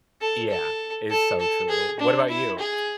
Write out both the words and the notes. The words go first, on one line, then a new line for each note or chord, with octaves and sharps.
Yeah, it's so true. What about you?
A4
A4
A4
A4
G#4
D4
E4
G#4